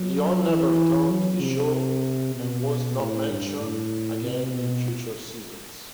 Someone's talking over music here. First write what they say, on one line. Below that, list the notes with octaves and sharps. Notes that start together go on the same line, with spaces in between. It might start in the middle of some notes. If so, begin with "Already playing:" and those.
Leon never returned to the show and was not mentioned again in future seasons.
Already playing: F#3
E3
F#3
C3
B2
A2
G2
A2
C3
B2